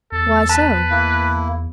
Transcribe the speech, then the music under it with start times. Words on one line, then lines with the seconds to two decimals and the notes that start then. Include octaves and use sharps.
"Why so?"
0.12 E2 A4
0.49 B4 A5
0.91 A#3 E4